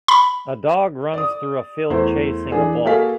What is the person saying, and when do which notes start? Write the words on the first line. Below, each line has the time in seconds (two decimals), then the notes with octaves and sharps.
A dog runs through a field chasing a ball.
0.08 B5
1.14 D5 D#6
1.90 E2 A3 E4 C5
2.51 E3 D4 G#4 D5
2.85 A#3 F#4 G#4 A4 F5 B6